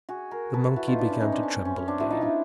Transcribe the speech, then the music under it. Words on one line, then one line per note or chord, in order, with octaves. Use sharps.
The monkey began to tremble again.
F#4 G#4
G#4 A#4
A4 B4
E4 F#4
D#4 F4
D4 E4
C#4 D#4
C#4 D#4
C4 D4
C#4
C4
C#4
C#4
C4 D4
E4 F#4
D#4 F4
D4 E4